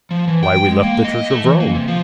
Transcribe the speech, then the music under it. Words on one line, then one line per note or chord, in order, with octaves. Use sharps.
Why we left the church of Rome.
F3
E3
G5
G#3
A#3
D#5
A3
E3
A#3
C3
F3